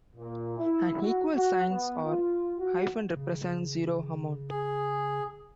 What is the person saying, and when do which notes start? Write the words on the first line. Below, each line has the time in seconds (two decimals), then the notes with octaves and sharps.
An equals sign or hyphen represent zero amount.
0.16 A#2
0.58 E4
1.01 F#4
1.35 F#4
1.69 B3
2.03 F4
2.59 F#4
3.16 C#3
4.50 G#4